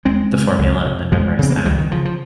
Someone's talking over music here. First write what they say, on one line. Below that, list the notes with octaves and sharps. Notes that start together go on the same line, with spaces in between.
the formula and then memorize that, and
D#2 G#3 C4
C#3
C#2
C3
F2 F3 G#3
C#3 C4
A#3
G#3
C#2 D#3 G3
D#3
C#3 F3
F3